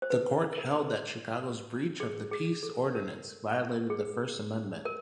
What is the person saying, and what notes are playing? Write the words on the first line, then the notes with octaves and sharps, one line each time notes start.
The Court held that Chicago's breach of the peace ordinance violated the First Amendment.
C5
B4
A#4
G#4
G#4
A4
A#4
G#4
A#4